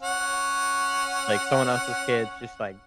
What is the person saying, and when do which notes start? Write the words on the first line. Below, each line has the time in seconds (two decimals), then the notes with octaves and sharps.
like, someone else's kids just, like,
0.02 C#4 F#5